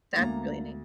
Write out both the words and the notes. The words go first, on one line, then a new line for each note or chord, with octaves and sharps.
That's really neat.
D2 G#3 A#3 B3 D4 A#5 A6